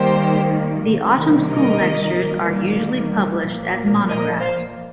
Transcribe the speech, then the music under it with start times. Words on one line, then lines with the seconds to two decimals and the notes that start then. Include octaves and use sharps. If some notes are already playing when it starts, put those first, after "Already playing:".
The Autumn School lectures are usually published as monographs.
Already playing: D#3 G3 A#3 G4 C5
0.86 C3 D#3 G3 A#3
1.51 A#4 D#5
2.15 D#3 G3 A#3
3.43 A#2 F3 A#3
4.08 A#4 D#5
4.40 C5 F5